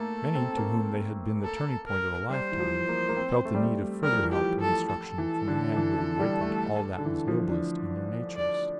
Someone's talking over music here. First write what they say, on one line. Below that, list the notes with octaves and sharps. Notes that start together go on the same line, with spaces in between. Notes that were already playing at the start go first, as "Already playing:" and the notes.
Many to whom they had been the turning point of a lifetime, felt the need of further help and instruction from the man who had awakened all that was noblest in their natures.
Already playing: A3 A#3 A4
C4
A#3
A4
A#4
G3 C5
E3
F3
A#3
A#3
C4
A3
G3
A3
G3 A#4
F3
E3
F3 G4
A4
A4
E3
D3
E3
E3
G3
A3
D3
E3
F3
D4
D5